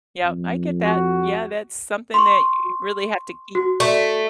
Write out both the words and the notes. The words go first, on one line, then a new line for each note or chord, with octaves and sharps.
yep, I get that. Yeah, that's something that you really have to keep
F2
F#4
C6 C#6
F#4
A3